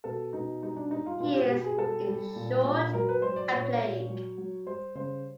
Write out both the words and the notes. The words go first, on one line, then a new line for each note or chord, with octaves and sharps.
He is, in short, a plague.
B2 A4
B2 D#4
G3 D#4
D4
G3 D#4
F4
B2 F4
G4
B2 G4
G#4
G3 A4
G3
A#2
A#2
F#3 A#4
B4
F#3 C5
D5
A#2 C#5
A#2
F#3
F#3
G3 C5
C#3 C5